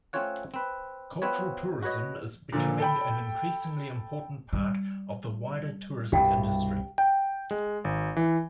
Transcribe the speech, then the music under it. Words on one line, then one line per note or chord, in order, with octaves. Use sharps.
Cultural tourism is becoming an increasingly important part of the wider tourist industry.
A3 C4 C#4 F4 C#5 F#5
C4 B4
B3 C4 F4 B4 C#5
F#4 B4 C#5 D#5
A#2 D3 F3 A#3
A4 G5 B5
G3
C2 G2 B2 G4 F5 G5
G5
G#3
G#1
E3